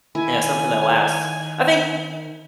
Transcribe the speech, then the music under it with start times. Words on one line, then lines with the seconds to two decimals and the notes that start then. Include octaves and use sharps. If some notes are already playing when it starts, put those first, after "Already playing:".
Yeah, something that lasts. I think,
0.15 D#3 E4 G#5